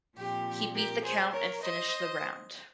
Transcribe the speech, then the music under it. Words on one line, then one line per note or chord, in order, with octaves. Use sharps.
He beat the count and finished the round.
A#2 F3 C4 G4
G4 A#4
G#4 C5
A#4 C#5
C5 D#5